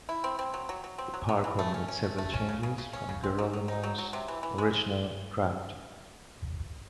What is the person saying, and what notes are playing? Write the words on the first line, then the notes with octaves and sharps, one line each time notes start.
Parker made several changes from Gerolmo's original draft.
E4
C4
C4
F#3
F#3
F#3
C4
F#3
F#3
E3
A3
C#4
C#4
A3
A3
C#4
C#3
C#3
C#3
C#4
C#3
C4
F#3
F#3
D#4
F#3
F#3
C3
E3
E3
G#3
G#3